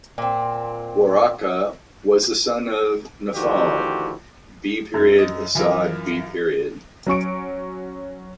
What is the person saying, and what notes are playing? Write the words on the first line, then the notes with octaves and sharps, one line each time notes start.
Waraka was the son of Nawfal b. Asad b.
A#2 C4
D2 D#3 F3 E4 F#4 G4
F#2
D#5
F#2 E3 F4 A#4 G#5
F#3 C#4 C#6 D7